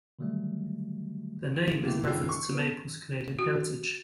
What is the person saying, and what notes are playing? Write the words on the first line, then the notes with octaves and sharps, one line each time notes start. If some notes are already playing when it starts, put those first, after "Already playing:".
The name is a reference to Maple's Canadian heritage.
D3 D#3 F#3 G3 A3
C#2 E3 A#3
F#1 D#3 F4 G#4 E6 C7
C#6
B3 A4
F#4